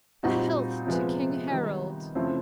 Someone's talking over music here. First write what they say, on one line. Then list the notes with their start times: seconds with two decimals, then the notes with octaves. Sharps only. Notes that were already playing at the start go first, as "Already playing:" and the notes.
"A health to King Harald!"
0.23 A#2 G3 C4 D#4 F#4
0.86 C3 F3 G#3 B3
1.51 D#3 G3 B3 D#4
2.15 C#3 F3 A3 C4 E4